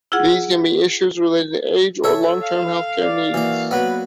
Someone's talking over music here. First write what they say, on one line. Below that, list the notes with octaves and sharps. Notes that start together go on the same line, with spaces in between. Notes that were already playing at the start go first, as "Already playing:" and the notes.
These can be issues relating to age or long-term health-care needs.
E4 F4 G#4 F#5
A4 C#5 E5
F5
D5
E3 A#3 F#4 D5
F#3 B3 B4